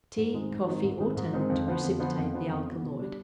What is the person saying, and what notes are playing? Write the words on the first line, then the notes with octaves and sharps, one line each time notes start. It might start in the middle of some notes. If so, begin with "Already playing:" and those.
Tea, coffee, or tannin, to precipitate the alkaloid.
G#2
D#3 G#3 C4 D#4
G#2
D#3 G#3 C4 D#4
G#2
D#3 G#3 C4 D#4
G#2
D#3 G#3 C4 D#4
F2
D3 F3 B3
F2
D3 F3 B3
F2
D3 F3 B3
F2
D3 F3 B3
B2
G3 D4